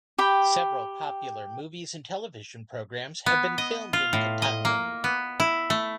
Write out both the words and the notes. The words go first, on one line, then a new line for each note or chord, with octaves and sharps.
Several popular movies and televisions programs have been filmed in Kittanning.
G4 G5 B5
B3
D#5
F4
A2
D#5
A#3
B3
E4
A3